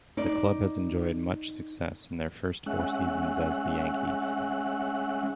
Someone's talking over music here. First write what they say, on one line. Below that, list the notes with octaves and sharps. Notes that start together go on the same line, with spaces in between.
The club has enjoyed much success in their first four seasons as the Yankees.
D#4 D5
G#3 C#4 E5 F#5